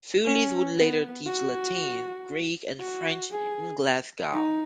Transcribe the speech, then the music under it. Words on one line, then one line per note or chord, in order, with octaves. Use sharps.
Foulis would later teach Latin, Greek, and French in Glasgow.
C#4
B3
F#4
F#4
G#4
D#4